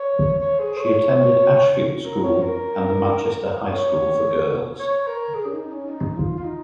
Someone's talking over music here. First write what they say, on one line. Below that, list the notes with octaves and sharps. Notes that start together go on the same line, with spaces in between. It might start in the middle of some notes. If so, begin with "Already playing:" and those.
She attended Ashfield School and the Manchester High School for Girls.
Already playing: C#5
C#5
G#4
C#5
A#4
C#5
A#4
C#5
C#5
A#4
G#4
C#4
D#4
C#4
D#4
F4
F4
D#4